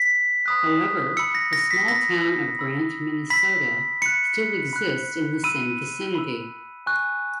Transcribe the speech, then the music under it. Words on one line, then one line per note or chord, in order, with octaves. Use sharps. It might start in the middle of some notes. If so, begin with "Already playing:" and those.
However, the small town of Grant, Minnesota, still exists in the same vicinity.
Already playing: B6
B5 D#6 F#6
B5 E6 C#7
A#6
A#6
B6
B5 E6 A#6
B5 E6
B5 E6 B6
B5 F#6 C#7
B5 F#6
B5 E6 D#7
B5 E6
G#5 C#6 F#6